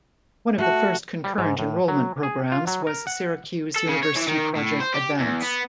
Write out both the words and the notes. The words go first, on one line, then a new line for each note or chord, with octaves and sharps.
One of the first concurrent enrollment programs was Syracuse University Project Advance.
A3 F#4
G3
G#2
A2
F#3
G#4
F4
F#3
A#4
F#5
A4
C#3
C#5
E3
D#3
A2
C5
G4
E2
B3